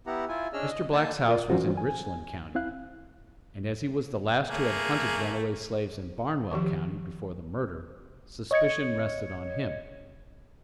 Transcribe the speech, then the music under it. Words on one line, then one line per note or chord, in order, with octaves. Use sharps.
Mr. Black's house was in Richland county, and as he was the last who had hunted runaway slaves in Barnwell county before the murder, suspicion rested on him.
B3 E4 G4 F#5 A#5
E4 F4 G#5
C#4 D4 G#4 D#5 E6 F6
D#5
A#3 D#4 G#5 A5 G6
F4 A#4 D5
E3 F#3 C#4 F4 F#4 C5
G#5
C4 E4 F5 F#6
A3 A#3 G#4
D#3 F3 G4
C#5 D#5 G#6 C#7